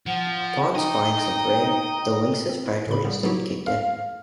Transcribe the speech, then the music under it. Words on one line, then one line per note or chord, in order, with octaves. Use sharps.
Upon spying some prey, the lynx's predatory instinct kicked in.
F3 F#5
D#4 D#5 G5
C4
E4
A2 C#3 B5
A#2 C#3 G3 B3
F#3 B3 D#4 E4 F#4 G4
F5